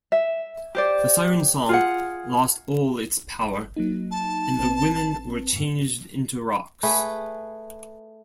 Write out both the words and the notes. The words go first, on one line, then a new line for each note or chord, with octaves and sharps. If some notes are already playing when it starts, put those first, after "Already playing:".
The Sirens' song lost all its power, and the women were changed into rocks.
E5
G4 C5 D5
F4 G#4 F#5
F#3 A#3 D#4
A5
A1 C4 B4
F2 G#2
A3 G#4 B4